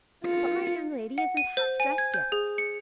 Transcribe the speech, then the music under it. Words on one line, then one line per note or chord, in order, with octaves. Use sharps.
But my young lady isn't half dressed yet.
F4 C#7
F#5
D#7
C5
G#5
G#6
G6
G#4
C#7